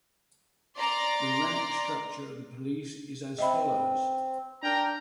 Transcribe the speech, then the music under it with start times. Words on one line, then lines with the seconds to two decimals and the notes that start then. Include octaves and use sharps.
The rank structure of the police is as follows.
0.77 D5 A#5 C6
3.38 C4 D#5 E5 B5
4.63 D4 A#4 G5 A#5